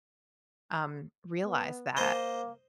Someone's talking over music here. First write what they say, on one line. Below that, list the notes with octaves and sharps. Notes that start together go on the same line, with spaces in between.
um, realized that.
B3
A#3 C5 D#5